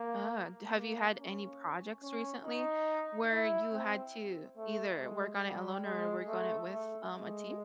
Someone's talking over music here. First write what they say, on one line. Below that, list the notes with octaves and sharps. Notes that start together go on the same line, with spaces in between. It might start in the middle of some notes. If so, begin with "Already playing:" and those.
Uh, have you had any projects recently where you had to either work on it alone or work on it with, um, a team?
Already playing: A#3
A#3
C#4
C#4
D#4
E4
C4
A3
G#3
G3
G#3
A3
A3
G#3